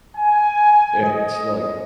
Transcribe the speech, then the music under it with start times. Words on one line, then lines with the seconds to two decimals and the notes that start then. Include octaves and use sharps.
It's like,
0.16 G#5
1.03 D#5